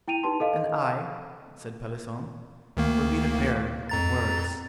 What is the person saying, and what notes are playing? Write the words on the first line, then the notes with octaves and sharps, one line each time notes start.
"And I," said Pelisson, "will be the bearer of the words."
E4 G5 D7 D#7 F7
D#4 G4 B4 A5 C6
A4 D#5 F5
D2 D#3 A#3
F2 A#5 A6